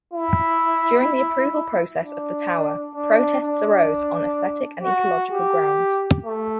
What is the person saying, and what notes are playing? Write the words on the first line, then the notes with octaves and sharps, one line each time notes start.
During the approval process of the tower, protests arose on aesthetic and ecological grounds.
E4
D4
D4
D4
F#4
G4
A3